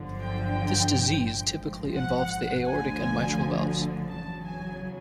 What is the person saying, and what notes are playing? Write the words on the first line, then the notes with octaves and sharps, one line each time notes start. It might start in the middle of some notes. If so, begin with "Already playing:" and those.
This disease typically involves the aortic and mitral valves.
Already playing: G1 F#2 D3 F3
G5
A#1 G#2 F3
F#5
D2 D3 F3 G#5
E2 C#3 F#3 A5
G#5